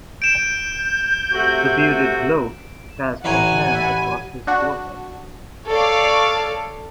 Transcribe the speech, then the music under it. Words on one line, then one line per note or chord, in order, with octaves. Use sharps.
The bearded bloke passed a hand across his forehead.
G6 D7 E7
C3 A3 F#4
A1 B4 C#5 F#5 G#5 A#5 C6
D5 E5 B5
D4 F#4
A4 C#5 D5 F5